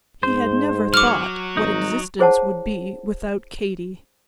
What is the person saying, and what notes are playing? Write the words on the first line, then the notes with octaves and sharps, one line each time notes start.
He had never thought what existence would be without Katy.
G#2 C5
F#3 D6 F6
G#1 D#4
E4 G#4 C5 C#5 F#5 A5